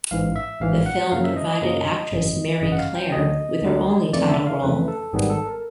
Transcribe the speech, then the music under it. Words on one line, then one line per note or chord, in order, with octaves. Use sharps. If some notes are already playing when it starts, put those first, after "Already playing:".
The film provided actress Mary Clare with her only title role.
A1 G#2 E3 F5
E5
A1 G#2 E3 F5
F#5
F#2 C#3 F#3 A#3 F5
E5
D#5
D#5
F#2 C#3 F#3 A#3 D#5
G#1 F#2 C#3 E3
G#1 F#2 C#3 E3 D#5
F#5
F5
G5
D2 D3 F#3 D#5
D2 D3 F#3
F2 C#3 E3 A3 D5
E5
F5
F2 C#3 E3 A3 B4
A4
G#1 G#2 D#3 G3 B3 G#4
A4
A#4